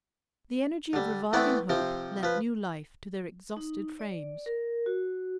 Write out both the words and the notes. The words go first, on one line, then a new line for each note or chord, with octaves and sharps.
The energy of reviving hope lent new life to their exhausted frames.
D3 G3
E3 A3 B3 C4 B4 D5
C3 F3 C4
F3 B4
D#4
D5
A#4
F#4